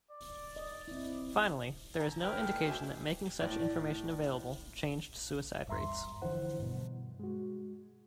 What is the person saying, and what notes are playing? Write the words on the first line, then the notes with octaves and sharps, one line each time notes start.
Finally, there is no indication that making such information available changed suicide rates.
D5
D#5
C4 E4
D3 G#5 A#5
E4 B4 G5 F6
G#3 A3 B3 D4
E4 F#4 G4 C5 G5 G#5
A2 D5
E2 G2 E5 A#5 C6
D3 E3 F3 E4 C5 F#5
G2 B2
G#3 F#4